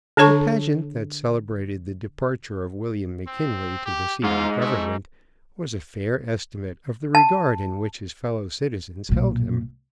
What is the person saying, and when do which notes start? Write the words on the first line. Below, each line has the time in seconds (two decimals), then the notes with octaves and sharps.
The pageant that celebrated the departure of William McKinley to the seat of Government was a fair estimate of the regard in which his fellow-citizens held him.
0.17 D3 D4 A4 C#5 A5 C#6
3.27 C4
3.86 G4
4.23 G#2 F4
4.61 A3
7.15 A5
9.09 B1 A#2